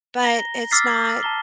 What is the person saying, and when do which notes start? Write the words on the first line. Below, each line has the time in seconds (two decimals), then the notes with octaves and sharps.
but it's not
0.23 A#5 A#6 G7
0.71 D6 E6 F6 A6 B6 C7
1.23 A5 A#5 G7